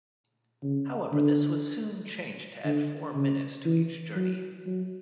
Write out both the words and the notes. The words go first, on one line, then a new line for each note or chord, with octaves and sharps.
However, this was soon changed to add four minutes to each journey.
C#3
D3
D3
C#3
E3
F#3
F#3